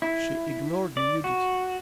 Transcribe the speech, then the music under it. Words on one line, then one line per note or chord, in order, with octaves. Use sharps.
She ignored nudity.
E4
D5
F#4